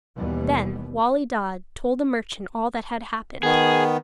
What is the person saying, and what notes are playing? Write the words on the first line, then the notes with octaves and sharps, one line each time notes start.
Then Wali Dad told the merchant all that had happened.
D#2 B2 E3 G3 B3
D#3 B3 G#4